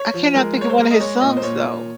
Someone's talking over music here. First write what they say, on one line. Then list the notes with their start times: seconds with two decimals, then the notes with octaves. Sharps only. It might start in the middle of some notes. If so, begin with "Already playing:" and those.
I cannot think of one of his songs though.
Already playing: C#5
0.14 F3
0.34 G#3 A#4
0.57 G#3 C#5
0.70 C5
0.77 G#3 A#4
0.91 D#5
1.00 G#3 C#5
1.21 A#2 D#5
1.37 C5
1.42 A#2 C#5
1.64 A#2